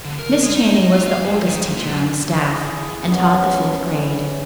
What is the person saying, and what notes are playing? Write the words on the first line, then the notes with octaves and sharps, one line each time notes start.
Miss Channing was the oldest teacher on the staff, and taught the fifth grade.
D3
A#4
G#3
D#4
D#5
F4
F5
G2
D#3
F#2
A#2
F#2
E4 G#4
F#2 B3 C#4
E4